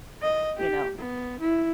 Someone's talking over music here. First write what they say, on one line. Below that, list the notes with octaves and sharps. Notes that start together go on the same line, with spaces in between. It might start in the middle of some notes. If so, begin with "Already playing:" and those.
You know?
D#5
G4
B3
E4